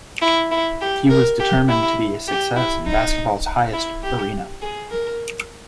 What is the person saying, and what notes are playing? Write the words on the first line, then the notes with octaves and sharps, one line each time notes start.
He was determined to be a success in basketball's highest arena.
E4
E4
G4
A#4
G4
E4
G4
E4
D#4
E4
G4
G#4
A#4